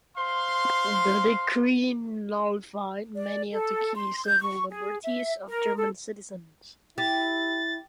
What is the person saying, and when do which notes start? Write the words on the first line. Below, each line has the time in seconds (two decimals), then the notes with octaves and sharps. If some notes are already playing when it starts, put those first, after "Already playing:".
The decree nullified many of the key civil liberties of German citizens.
0.15 C5 F5 C6
3.15 D5
3.52 A4
3.96 C6
4.25 G6
4.41 C#6
4.70 G#4
5.04 E5
5.48 A#4
5.77 A4
6.98 E4 G4 A6